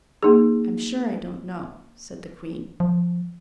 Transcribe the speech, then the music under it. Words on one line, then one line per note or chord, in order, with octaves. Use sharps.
"I'm sure I don't know," said the queen.
A#3 D#4 G#4
F3